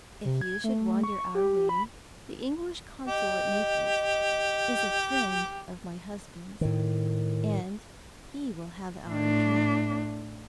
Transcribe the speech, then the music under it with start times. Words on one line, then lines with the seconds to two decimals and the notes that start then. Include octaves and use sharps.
If you should wander our way, the English consul at Naples is a friend of my husband's, and he will have our address.
0.25 C3
0.41 G#6
0.64 A3
1.04 C#6
1.35 G4
1.69 B5
3.07 G4 D#5
6.61 A2 D#3
9.09 A2 D4